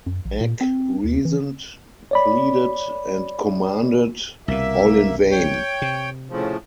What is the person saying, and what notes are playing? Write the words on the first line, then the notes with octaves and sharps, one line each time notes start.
Meg reasoned, pleaded, and commanded: all in vain.
F#2
A#1
A#2
C4
D#2
E3
C#5 D5 B5
C2 B2 A#3 E5
C#5 G5
C3
A2 C#3 F3